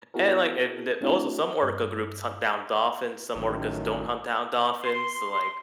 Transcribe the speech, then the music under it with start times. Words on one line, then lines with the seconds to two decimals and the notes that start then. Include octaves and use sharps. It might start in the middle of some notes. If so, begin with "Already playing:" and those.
and, like, eh, d also some orca groups hunt down dolphins, some orcas don't hunt down dolphins, so, like
0.14 B3 E4 F#4 G#4 A#4
1.01 A3 C4 D4 E4 F#4
1.63 G2
3.35 A1 F#2 A2 D#3
4.83 C6